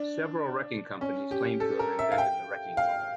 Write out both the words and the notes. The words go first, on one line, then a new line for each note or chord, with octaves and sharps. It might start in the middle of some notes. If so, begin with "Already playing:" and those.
Several wrecking companies claim to have invented the wrecking ball.
Already playing: D4
C#4
G4
A4
A#4
E5
F5
G5
F5